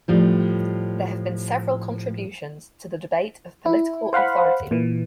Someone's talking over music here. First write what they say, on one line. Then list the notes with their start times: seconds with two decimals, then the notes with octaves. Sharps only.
There have been several contributions to the debate of political authority.
0.08 A2 F3 G3
3.66 E4
4.13 C5 F5 F#5 B5
4.71 A#2 E3